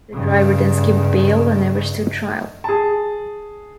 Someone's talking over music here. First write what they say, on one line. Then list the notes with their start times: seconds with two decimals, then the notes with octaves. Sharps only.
The driver then skipped bail and never stood trial.
0.12 G2 C#3
2.64 G#4 A5